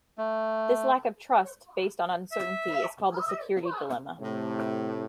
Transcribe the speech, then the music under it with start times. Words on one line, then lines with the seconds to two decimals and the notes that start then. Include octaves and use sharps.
This lack of trust, based on uncertainty, is called the security dilemma.
0.18 A3
2.32 E5
4.20 A2 C3